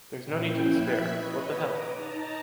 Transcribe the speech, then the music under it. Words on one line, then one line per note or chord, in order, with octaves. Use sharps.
There’s no need to despair; what the hell.
A#2 F3 C#4 E4 G5
E5 E6 F#6 G#6 B6
B4 C#5 D#5
A#5 D6 D#6
D#4 A5 A#5